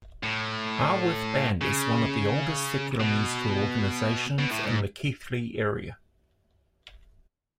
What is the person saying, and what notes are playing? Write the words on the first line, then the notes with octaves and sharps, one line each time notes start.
Haworth Band is one of the oldest secular musical organisations in the Keighley area.
A2
C#3
B2
B2
A2
G#2